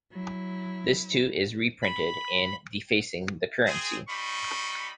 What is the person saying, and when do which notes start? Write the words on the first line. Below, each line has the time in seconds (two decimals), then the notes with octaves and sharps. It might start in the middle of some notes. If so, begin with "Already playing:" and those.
This too is reprinted in "Defacing the Currency".
0.11 F#3 E4
1.82 B5
3.66 C4 G#4
4.08 G3 D#4 B5 C#6